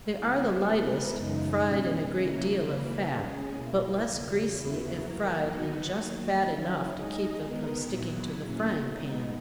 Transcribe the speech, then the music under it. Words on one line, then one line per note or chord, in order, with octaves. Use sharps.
They are the lightest fried in a great deal of fat, but less greasy if fried in just fat enough to keep them from sticking to the frying pan.
C#3 G#3 B3 E4
G#3 B3 E4 A#4
F#2 C#3 E3 G#3 D#4
B2 G#3 C#4
C#3 F#3 A#3 C#4 E4
C#3 E3 A#3 E4 B4
G#3 C#4 G#4
B2 A#3 E4
E2 C#3 F#3
E2 C#3 F#3 B3 E4
F#3 A#3 E4 A#4
F#3 B3 D#4 F#4
D#3 F#3 A#3
F#3 C#4 E4
G#3 D#4 G#4 D#5
D#3 G#3 B3 D#4 A#4
A#2 F#3 B3 E4
F#3 A#3 C#4 E4 G#4
G#3 B3 D#4